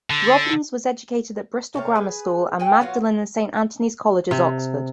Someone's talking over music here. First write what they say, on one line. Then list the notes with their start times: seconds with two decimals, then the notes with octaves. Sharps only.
Robbins was educated at Bristol Grammar School, and Magdalen and Saint Antony's Colleges, Oxford.
0.10 D3
1.74 C3 A3 C#5 F5
1.95 G#4 B4
2.60 F#4 G5 G#5
2.81 F#3 B3 F4 F#4
4.31 C3